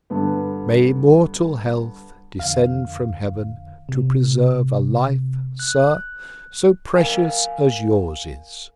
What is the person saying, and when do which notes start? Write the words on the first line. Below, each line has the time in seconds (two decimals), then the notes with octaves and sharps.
May immortal Health descend from Heaven to preserve a Life, Sir, so precious as yours is.
0.10 G2 D3 B3
2.39 F2 D3 F5
3.89 C3
5.59 F#6
6.95 G#4 A#4 F5 G#5